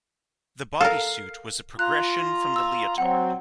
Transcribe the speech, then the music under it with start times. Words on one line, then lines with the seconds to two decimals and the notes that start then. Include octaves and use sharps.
The bodysuit was a progression from the leotard.
0.81 A4 A#4 F5
1.79 F4 A#5 F#6
2.56 E6
2.98 F#3 C4 F#5